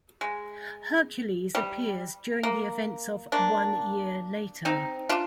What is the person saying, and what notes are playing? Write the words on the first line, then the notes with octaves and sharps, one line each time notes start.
Hercules appears during the events of "One Year Later".
G#3
G3
A#3
A#3 D4
C4 D#4
D4 F4